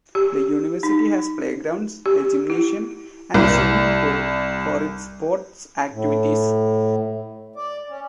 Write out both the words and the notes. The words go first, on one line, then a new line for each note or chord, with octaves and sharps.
The University has playgrounds, a gymnasium and a swimming pool for its sports activities.
G4
D#4
G4
E4
C2
A2
D5
C#4